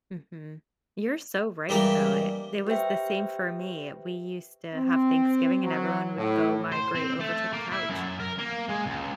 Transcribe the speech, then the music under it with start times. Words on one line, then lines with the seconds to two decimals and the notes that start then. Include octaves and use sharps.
Mhm, you're so right though, it it was the same for me, we used to have Thanksgiving, and everyone would go migrate over to the couch
1.69 G2 E3 G3 G#3 A#3 G5
2.67 G4 B4 C5 E5 G5
4.75 C4
5.63 F#3
6.18 A2
6.72 C5
6.95 C4
7.19 A3
7.53 A#3
7.72 E4
7.89 F#2
8.20 A#4
8.38 A#3
8.69 G#3
8.86 C#2